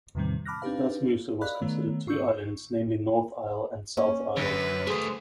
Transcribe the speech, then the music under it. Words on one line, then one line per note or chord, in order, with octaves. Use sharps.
Thus Mousa was considered two islands, namely North Isle and South Isle.
E2 A2 C3 D#3 G3 C4
A5 B5 D6 F6 F#6 A#6
C4 D4 D#4 G4 B4 F5
A#4 D5 D#5 F5 B5 F#6
D#3 A3 B3 C#5
G#2 F4 C#6 E6 G6 C#7
A#3 C#4
F#2 D3 B4
A3 G#4 C5